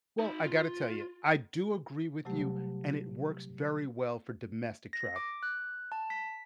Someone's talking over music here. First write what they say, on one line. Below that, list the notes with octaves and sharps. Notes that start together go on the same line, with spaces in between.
Well, I gotta tell you, I do agree with you, and it works very well for domestic travel,
D#4 B5
F4
C3 F#3 G3 A3 G4
A#6
D6
F#6
A5
B6